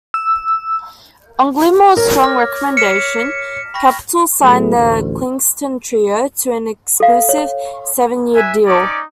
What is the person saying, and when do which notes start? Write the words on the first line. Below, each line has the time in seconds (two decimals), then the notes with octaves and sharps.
On Gilmore's strong recommendation, Capitol signed the Kingston Trio to an exclusive seven-year deal.
0.14 E6
1.97 A#4 C#5
2.23 D6 F6 A#6
2.77 F6 B6 C#7 E7
3.74 G5 B5 C#6 A#6
4.42 A2 F#3 A3 G#4
4.76 A1 D2
7.00 A4 F5
7.29 C#5
8.35 B4 E5 G#5
8.66 C#4 D#4 D5 D6